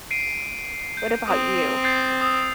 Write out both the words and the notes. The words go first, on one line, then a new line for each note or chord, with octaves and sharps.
What about you?
C7 D7 D#7
G6
C4 D#6
G6 A6 C7
D#6 E6